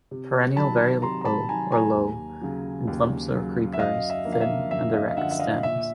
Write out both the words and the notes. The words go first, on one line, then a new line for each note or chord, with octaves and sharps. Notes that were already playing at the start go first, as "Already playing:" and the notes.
Perennial very low or low, in clumps or creepers; thin and erect stems.
C3
D#3 F#3 A5 B5
C3 A#5 C6
A#5
A5 B5
D#3 F#3 G#5 A#5
G#5 A#5
D#2
C#3 F#3
D#2
C#3 F#3
E5
F#2 D#5 F5
E5
D3 F3 A#3
F5
E5
F#2 E5
D#5 F5
F5
D3 F3 A#3 E5 F#5
E5
D#5 F5
A#2 E5